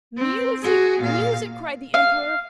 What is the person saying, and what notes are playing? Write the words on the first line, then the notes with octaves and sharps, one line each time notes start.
"Music! music!" cried the Emperor.
C4
F#4 G#4
A#2 F5
F5